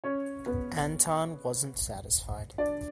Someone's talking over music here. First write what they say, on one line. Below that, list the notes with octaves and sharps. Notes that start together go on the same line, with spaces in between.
Anton wasn't satisfied.
C#4 C#5
B3 B4
D4 D5